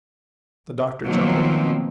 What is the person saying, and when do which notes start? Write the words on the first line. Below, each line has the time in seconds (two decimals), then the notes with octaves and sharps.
The Doctor chuckled.
1.04 B2 D#3 F3 F#3 A#3 C4